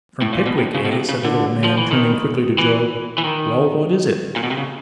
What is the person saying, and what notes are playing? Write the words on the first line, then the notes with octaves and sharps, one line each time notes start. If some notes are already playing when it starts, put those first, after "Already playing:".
'From Pickwick, eh?' said the little man, turning quickly to Job. 'Well, what is it?'
A2
A#2
B2
C3
C#3
B2
C3
C#3
D3
F3
E3
D#3
E3
E3
D#3
A#2
B2
C3
C#3